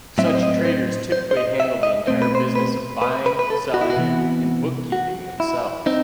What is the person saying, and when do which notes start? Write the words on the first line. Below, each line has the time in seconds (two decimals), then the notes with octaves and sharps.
Such traders typically handle the entire business of buying, selling, and book-keeping themselves.
0.18 A2 F#3 C4 E5
0.27 D#5
0.35 C5
0.43 D#5
0.59 B4
0.65 C5
1.12 C5
1.31 C5
1.37 D#5
1.60 E5
1.83 D#5
2.07 B2 A3 C4 C5
2.22 B4
2.35 C5
2.55 B4
3.02 B4
3.26 B4
3.39 B4
3.50 A4
3.74 F#4
3.81 E4
3.90 F#4
3.96 C3 E3 B3
4.92 F#4
5.40 E4
5.86 C4 D#4